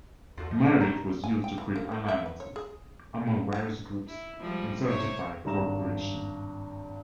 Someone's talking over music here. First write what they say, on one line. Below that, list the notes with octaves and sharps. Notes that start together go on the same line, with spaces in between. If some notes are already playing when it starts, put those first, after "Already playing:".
Marriage was used to create alliances among various groups and solidify cooperation.
E2 F4 F#4 A4
F3 D#5
F#3 G3 A3
A2 D#3 G3 D#4 A#5
G#5
G5
E3
A#3
A3
E5
B4
C#5
G#4
E4
F3 G3 G#3
C3 C5 C#5
G#1 G2 A#5 E7